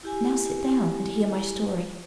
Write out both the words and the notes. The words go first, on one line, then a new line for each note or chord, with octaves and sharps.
Now sit down and hear my story.
E4 G4 G#5